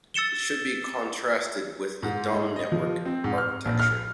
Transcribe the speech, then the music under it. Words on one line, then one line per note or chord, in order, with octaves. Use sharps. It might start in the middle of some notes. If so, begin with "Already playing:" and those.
It should be contrasted with the dumb network architecture.
E6 A6 C#7 E7 G7
G#2
G#3
D#5
F3
C4
G#2
F6
A#1
F6